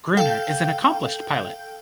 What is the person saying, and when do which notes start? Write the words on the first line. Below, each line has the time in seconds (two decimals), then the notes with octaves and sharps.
Gruener is an accomplished pilot.
0.17 A4 F5 G5 G6